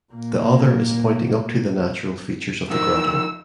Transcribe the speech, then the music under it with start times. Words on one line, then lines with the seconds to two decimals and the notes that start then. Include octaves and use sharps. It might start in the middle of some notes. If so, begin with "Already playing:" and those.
The other is pointing up to the natural features of the grotto.
0.13 A#2 A#3
2.70 F3 D#4 A#4 E6